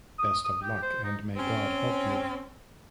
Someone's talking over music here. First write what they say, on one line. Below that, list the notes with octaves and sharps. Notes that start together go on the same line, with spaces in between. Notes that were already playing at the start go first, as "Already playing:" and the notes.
Best of luck, and may God help you.
D#6
D#6
G4
C5
D#4
C4 C#4